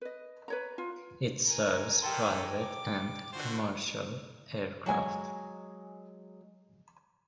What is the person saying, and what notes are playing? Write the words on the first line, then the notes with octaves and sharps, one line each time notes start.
It serves private and commercial aircraft.
B4 D#5
B4 C#5 A#5
F4
A#4 G#5
D#3 G4 A4 A5 C6
D6
D3 F4 F#4 C5
F#3 G#3 G#5